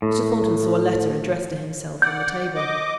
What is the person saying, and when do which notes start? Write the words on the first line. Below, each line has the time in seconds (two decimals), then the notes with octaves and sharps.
Mr. Thornton saw a letter addressed to himself on the table.
0.02 A2
2.02 D5 F#5 G6
2.55 D#5 D6